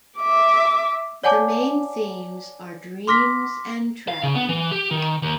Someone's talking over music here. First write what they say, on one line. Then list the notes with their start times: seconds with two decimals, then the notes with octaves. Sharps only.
The main themes are dreams and traveling.
0.18 E5 D6
1.24 C#5 D5 F#5 G#5 A5 D6
3.07 C6 D6 F6 A#6 B6
4.08 F5
4.23 C#3
4.35 B3
4.49 E3
4.72 G4
4.91 D#3
5.22 D#2